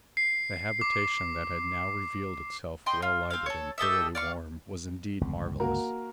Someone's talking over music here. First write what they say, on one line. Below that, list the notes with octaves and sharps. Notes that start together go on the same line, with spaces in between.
The habitation that had now revealed itself, well lighted and thoroughly warm, was indeed marvelous.
C7
D6
D#5 G5 C6
F4
C4 F5
A4 C#5
G4 A4 D#5 E5
D5 F5 C#6
G1 C#2
A#3 F#4 A#4